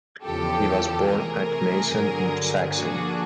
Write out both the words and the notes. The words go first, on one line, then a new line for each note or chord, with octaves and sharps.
He was born at Meissen in Saxony.
E2 C#3 F3 G4 A4
C3 E3 A3 G#4 A#4
G2 D3 F#3
D3 F3 A#3 D4 F#4 G#4